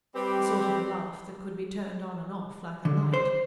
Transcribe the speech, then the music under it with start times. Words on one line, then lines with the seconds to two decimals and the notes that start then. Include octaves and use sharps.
The sort of a laugh that could be turned on and off, like a light.
0.15 G3 C4 G4 B4
2.85 D3
3.14 C5